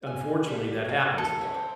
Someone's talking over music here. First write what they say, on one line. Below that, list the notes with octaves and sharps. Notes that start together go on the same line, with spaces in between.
unfortunately, that happens a lot,
G#5
G3 A3
F#3
A4
E3 F#3 C#4
C4